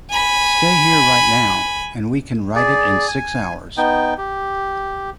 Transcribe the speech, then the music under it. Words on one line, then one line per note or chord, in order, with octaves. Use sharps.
Stay here right now and we can write it in six hours.
G#5 B5
G#4 D5
G#5
B3 D#4 G5
G4